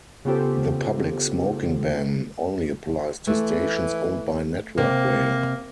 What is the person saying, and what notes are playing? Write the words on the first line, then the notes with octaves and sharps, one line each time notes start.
The public smoking ban only applies to stations owned by Network Rail.
C#3 B3 F4 G4 A4 C5
E3 A3
C3 A#3